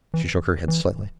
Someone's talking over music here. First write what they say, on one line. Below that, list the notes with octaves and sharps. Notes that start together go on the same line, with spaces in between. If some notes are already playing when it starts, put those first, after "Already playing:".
She shook her head slightly.
E3
E3